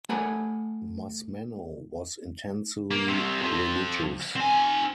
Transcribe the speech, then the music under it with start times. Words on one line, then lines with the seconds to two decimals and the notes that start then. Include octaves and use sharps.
Musmanno was intensely religious.
0.09 A3 F#5 G#5 B5
2.91 A#3
3.09 C2 C3
3.42 F2 F3
4.36 C4 G#5